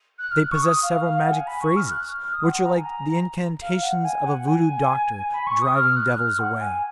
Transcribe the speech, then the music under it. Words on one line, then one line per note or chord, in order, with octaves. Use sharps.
They possess several magic phrases, which are like the incantations of a voodoo doctor driving devils away.
F#6
F6
F#6
C#6
D#6
F5
F5
F#5
G#5
B5
C#6
F6
F#6
F6
D#6
F#5
F#5
A#5
G#5
A#5
F5
F#5
G#5
F#5
G#5
B5
C#6
D#6
F6
F#6
F6
F#5
G#5